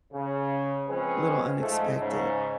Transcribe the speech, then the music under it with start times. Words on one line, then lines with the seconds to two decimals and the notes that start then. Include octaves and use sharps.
little unexpected.
0.13 C#3
0.89 F3 G#3 C4 C#4 G#4 B4
1.61 G#2 F3 G#3 A3
2.01 G#2 C#3